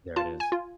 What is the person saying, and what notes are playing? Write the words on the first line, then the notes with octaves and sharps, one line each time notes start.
There it is.
F4 A5
G#5
F4